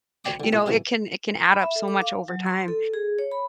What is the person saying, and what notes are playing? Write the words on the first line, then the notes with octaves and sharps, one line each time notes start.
you know, it can it can add up so much over time.
D2 C#5 D5 G5 D6
D3 G3
A#2 E4 C#6
A1 F#2 E3 F#3 G#4 A4
B5
E5
A4
D6
F5
F#3
C6
A4
G#4
C#5
B5